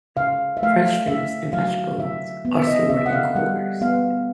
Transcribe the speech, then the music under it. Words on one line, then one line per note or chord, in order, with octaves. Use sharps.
Fresh fruits and vegetables are stored in coolers.
C#3 F5
E5
A3 F5
C#3 E5
F#3 F5
D3 E5
B3
E5
D#5
D3 E5
F#5
F5
G3 F#5
B3 F5